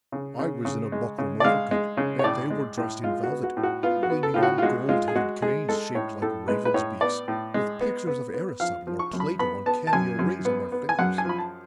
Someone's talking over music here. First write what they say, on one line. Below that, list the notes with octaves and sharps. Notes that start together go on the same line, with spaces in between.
I was in a buckram overcoat, and they were dressed in velvet, leaning on gold-headed canes shaped like ravens' beaks, with pictures of Aristotle or Plato on cameo rings on their fingers.
C#3
C#3
C#3
G#3
C#3
D5
G#3 F5
G#3
C#3
C#5
A2 D5
G#3
A2
G#3 F4
F#4
B3
F#4
A2
F#4
B3 F4
F#4
B3
A4
A2 F4
F#4
F4
G#3 F#4
G#3 F4
G#4
G#3 F#4
G#3 G#4
G#3 A4
A2 C#5
A2 A4
G#3 B4
B4
A2 C#5
B3 D5
A2
G#3
B3
B3
B3
F3 F5
F3
C#6
F#2
B5
B3 B5
B3 A5
A5
F#2 G#5
F#2
B3
B3
G#5
F#2 F#5
G#5
F3 B5
A5